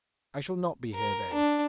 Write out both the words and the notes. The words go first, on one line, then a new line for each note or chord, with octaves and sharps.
'I shall not be here then.'
A#4
D4